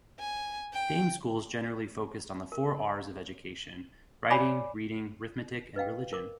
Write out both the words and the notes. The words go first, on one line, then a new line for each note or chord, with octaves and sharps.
Dame schools generally focused on the four R's of education-"Riting, Reading, Rithmetic, and Religion".
G#5
G5
A#4
C#5 D5 G#5 B5 D6
B4 D#5 F5 G5
A#4 D6